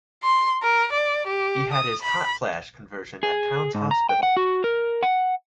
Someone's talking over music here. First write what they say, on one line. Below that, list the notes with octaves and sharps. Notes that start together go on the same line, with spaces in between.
He had his "hot flash" conversion at Towns Hospital.
C6
A#4
D5
G4
D#6
B5
G#4
G#2
A#5
G5
F#5
F#4
A#4
F#5